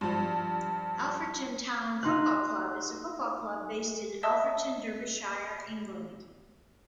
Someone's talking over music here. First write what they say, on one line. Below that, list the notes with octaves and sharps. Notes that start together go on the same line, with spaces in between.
Alfreton Town Football Club is a football club based in Alfreton, Derbyshire, England.
G2 F3
D#4 C6 F#6
D#5 E5 A5 D#6 E6